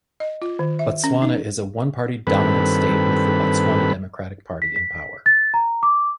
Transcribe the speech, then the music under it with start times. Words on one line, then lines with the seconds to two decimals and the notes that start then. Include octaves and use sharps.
Botswana is a one party dominant state with the Botswana Democratic Party in power.
0.20 D#5
0.42 F4
0.59 D#3
0.79 E5
1.04 C#4
1.22 D#4
2.27 G2 D#3 C4 A4 B4 B5
4.62 B6
4.76 B6
5.26 A6
5.54 A#5
5.83 D6